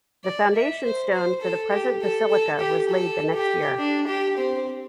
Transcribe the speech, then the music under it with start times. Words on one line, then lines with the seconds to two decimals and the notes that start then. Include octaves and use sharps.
The foundation stone for the present basilica was laid the next year.
0.24 D5
0.54 E5
0.84 C5
1.13 C5
1.42 A4
1.71 G4
2.01 A4
2.30 A4
2.60 G4
2.89 A4
3.34 G4
3.78 D4
4.07 G4
4.37 C4